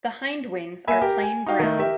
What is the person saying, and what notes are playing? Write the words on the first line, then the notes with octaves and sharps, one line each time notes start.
The hindwings are plain brown.
A#3 E5 G#5 B5
G4 A#4
G#5
D#4 F#4 F5 G5
D#3 A3
G4 A#4 E5